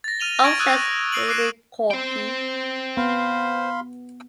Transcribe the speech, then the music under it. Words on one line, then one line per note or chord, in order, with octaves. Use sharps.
Old stems may be corky.
A6 A#6
F6 D#7 F7 G7
C#6 G#6 A#6 D7 D#7 F#7
D#6 E6 F#6 G#6 D#7
E6 F#6 C7 D7 F#7
D6 F#6 C7 D7 E7
C5 G5
B3 F5 B5 C6